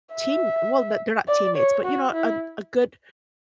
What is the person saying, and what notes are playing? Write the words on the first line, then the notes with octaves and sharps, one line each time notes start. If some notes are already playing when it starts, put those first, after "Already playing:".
team well, the they're not teammates, but, you know, a a good
E5
D5
C#5
F#4
E4